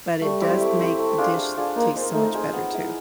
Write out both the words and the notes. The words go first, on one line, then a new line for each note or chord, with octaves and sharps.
but it does make the dish taste so much better too.
G3 A3
C4 E4 G4
A3
C4 E4 G4
A3
D4 F4 G#4
A3
D4 F4 G#4
A#3 D#4
G#4 C5 D#5
A3 D#4
G#4 C5 D#5
B3
E4 G#4